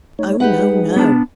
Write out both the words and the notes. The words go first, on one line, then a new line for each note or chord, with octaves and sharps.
O no, no.
A3 D#4 C#5
G#3 D#4 G4 G#4 B4 F#5
B3 D4 A5